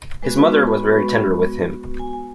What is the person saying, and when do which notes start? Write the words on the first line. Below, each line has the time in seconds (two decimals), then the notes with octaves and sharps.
His mother was very tender with him.
0.23 G#3 B3 F#4 B4
0.38 B4
0.52 C#6
0.67 B5
1.40 B3 F#4
1.99 G#5
2.13 G#5